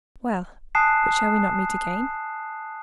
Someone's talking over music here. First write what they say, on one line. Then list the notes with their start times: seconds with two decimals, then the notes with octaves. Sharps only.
"Well, but shall we not meet again?"
0.75 G#5 A5 D#6 F#6 C7 E7